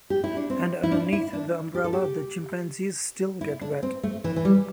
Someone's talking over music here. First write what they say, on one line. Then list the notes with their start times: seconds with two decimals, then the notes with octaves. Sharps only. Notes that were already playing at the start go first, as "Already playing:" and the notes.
And underneath the umbrella the chimpanzees still get wet.
0.10 G4
0.24 E4
0.37 D4
0.50 C4
0.83 E4
0.91 D4
1.13 E4
1.33 D4
1.75 G4
1.84 A4
1.93 G4
3.41 E4
3.61 D4
3.83 C4
4.03 A3
4.24 E3
4.36 E3
4.45 G3